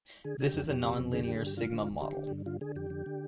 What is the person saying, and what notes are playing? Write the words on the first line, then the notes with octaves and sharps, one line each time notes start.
This is a non-linear sigma model.
D3 G#4
D3 G#4
G4
F2
F2 G4
C3
F2
D3 G#4
G4
D3
G#4
G2 G4
D3 F4
D3
D#2
D3 G4
D3
G2
D3 F4
D3 G#4
F2 G4
D3
D3